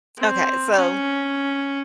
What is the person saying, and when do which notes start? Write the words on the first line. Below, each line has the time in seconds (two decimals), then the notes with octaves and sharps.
Okay, so
0.18 C4
0.77 C#4